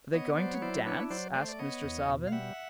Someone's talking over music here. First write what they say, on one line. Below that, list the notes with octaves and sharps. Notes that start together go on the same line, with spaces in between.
"Are they going to dance?" asked Mr. Salvin.
B3 C#5 D#5
F#3 C5 D5
C#5
E4 C5 D5
D4 B4 C#5
F#3 C5 D5
A3 C5 D5
D5
B3 C#5 D#5
E2
B2
F5
G3 E5 F#5